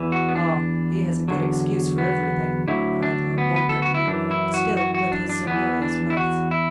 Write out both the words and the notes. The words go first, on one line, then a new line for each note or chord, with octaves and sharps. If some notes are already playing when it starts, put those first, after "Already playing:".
"Ah, he has a good excuse for everything!" cried Lord Warburton, still with his sonorous mirth.
Already playing: E2 E3
F#4
B3
D4
E2 D3 F#3
B3
D2 D3 F#3 E4
D4
B3
B4
A4
F#4
E4
F#2 E3 D4
E4
F#4
F#4
F#4
D4
D4
E2 E3 B3
D4
E4
F#4
E4